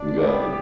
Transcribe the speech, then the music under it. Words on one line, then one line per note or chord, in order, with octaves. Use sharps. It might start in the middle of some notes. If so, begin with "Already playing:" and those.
Go ahead.
Already playing: D4 D5
G3 B3 E4 G4